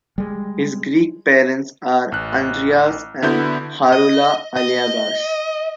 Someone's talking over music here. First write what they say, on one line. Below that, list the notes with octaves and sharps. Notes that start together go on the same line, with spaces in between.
His Greek parents are Andreas and Harula Aliagas.
G3 G#3
A1 F#6
D3 B3 E4 F#4 G6
D#5
D#5